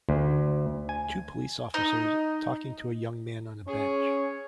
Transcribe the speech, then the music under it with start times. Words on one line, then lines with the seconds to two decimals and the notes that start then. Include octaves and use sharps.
Two police officers talking to young man on a bench.
0.09 D2
0.89 G#5
1.74 D#4
3.68 C#4 G#4 C#5